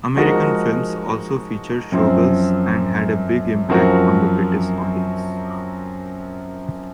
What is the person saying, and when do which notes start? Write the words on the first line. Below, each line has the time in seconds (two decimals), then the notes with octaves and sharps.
American films also featured showgirls and had a big impact on the British audience.
0.16 F3 G#3 D#4 F#4 A#4
1.92 F#2 F3 C4
3.69 F#2 F3 C4 F#4 A#4